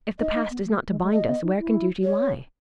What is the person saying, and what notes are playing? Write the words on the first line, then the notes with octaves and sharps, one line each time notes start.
If the past is not to bind us, where can duty lie?
D#4 D#5
D#4
B3
A3
G#3
G#3
A3 D#5
B3
D#4
E4
C#5